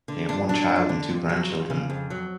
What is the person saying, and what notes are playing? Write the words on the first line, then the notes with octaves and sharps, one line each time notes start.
They have one child and two grandchildren.
D3
F2 D4
F#3 D4
F2
D3
F2
F#3
F2
C#3
F2
F#3